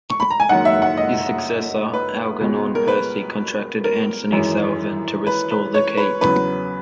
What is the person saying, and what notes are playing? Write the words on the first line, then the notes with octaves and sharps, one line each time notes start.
His successor, Algernon Percy, contracted Anthony Salvin to restore the keep.
C#6
B5
A#5
G#5
F#1 F#2 D#3 F#5
E5
F#5
D#5
B4
C#2 B2 G#3
A#4
B4
A#4
G#1 F#2 E3 G#3
B4
B4
C#5
B4
E2 C#3 F#3 B4